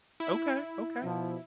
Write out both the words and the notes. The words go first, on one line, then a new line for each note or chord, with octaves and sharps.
Okay, okay.
E4
B2 F3